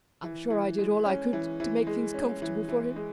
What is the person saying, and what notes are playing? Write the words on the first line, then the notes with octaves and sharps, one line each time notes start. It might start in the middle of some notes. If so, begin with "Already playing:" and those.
I'm sure I did all I could to make things comfortable for him.
E3
E3
G#3
C#4
E3
E3
G#3
C#4
E3
E3
G#3